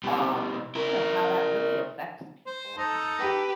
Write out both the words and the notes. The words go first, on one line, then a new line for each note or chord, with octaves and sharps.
um, you know, how that really affects people,
B2 G3
E4 A#4
C5
D#4 A4
G4 B4